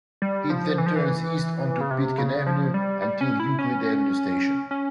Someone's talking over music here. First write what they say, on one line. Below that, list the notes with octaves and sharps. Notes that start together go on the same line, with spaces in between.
It then turns east onto Pitkin Avenue until Euclid Avenue station.
G3
F3
E3
F3
E3
C#3
C3
C#3
F3
G3
G3
C#4
E4
C#4
C#4